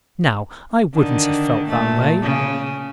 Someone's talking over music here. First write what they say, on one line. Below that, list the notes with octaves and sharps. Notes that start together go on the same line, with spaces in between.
Now, I wouldn't have felt that way.
D3 D#3
A#2 A3
C#3